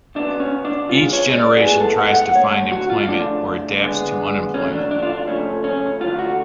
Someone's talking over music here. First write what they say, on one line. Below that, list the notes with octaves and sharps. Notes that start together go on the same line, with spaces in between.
Each generation tries to find employment or adapts to unemployment.
C#3 F#3 B3 D4
C#4
D4
C#3 G#3 B3 F4
C#5
D5
F#4
A2 G#3 B3 G#4
A4
F#5
F#5
D3 F#3 A3 C#5
F#4
F4
C#3 F3 A3 D4
D3 G#3 B3
C#3 F#3 A3 C#4
D4
D4
F4
D4
C#3 F3 A3 C#4
C#4
D3 F#3 A3 F4
F#4